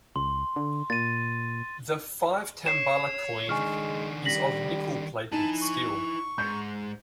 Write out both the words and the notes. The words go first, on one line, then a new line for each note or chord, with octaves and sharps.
The five tambala coin is of nickel-plated steel.
C#2 C6
D3
A#2 A6 D#7
C#5 C7 E7
D#3 G#3 D4 G#5 C#6 F6
G3 A#6 B6 F#7
D#4 E4 G#5 A5
C#6
G#2 G6